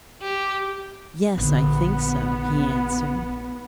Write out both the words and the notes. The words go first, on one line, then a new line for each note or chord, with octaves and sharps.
"Yes, I think so," he answered.
G4
A#1 D3 B3